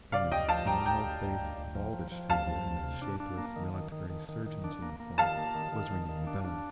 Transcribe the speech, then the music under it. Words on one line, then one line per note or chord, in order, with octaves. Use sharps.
Dan, a mild-faced, baldish figure in a shapeless military surgeon's uniform, was ringing the bell.
C3 D5 F5
D2 D#5 G5
F3 F5 A5
D2 G5 A#5
D2 G5 A#5
D2
D2
D2
D2
F3
F3
F3
D2 F5 A5
F3
D2
C3
D4
D4
A#3
D#3
D#3
D#3
D#3
D#3
D#3
D4
A#3
A#3
D#3 F5 A5
A#3
D#3
D#3
D#3
D#3
D4
D4